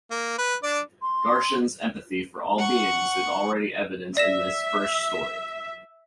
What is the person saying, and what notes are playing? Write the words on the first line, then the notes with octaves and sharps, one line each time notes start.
Garshin's empathy for all beings is already evident in this first story.
A#3
B4
D4 D5
C6
F#5 C#6
D5 E5 A#6 E7